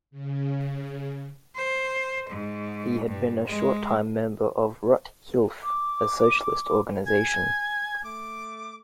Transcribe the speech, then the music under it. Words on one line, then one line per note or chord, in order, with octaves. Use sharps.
He had been a short-time member of "Rote Hilfe", a socialist organization.
C#3
C5
G#2
G2
G#3
D6
G#5 G#6
A3 D6